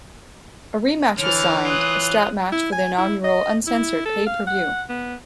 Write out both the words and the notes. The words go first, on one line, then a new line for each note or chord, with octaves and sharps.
A rematch was signed, a strap match for the inaugural Uncensored pay-per-view.
D3 E3 C#5 F6
F4 D#6 F#6
E4
G#5
E4
D#5
E4
A4
F5
F#5
B3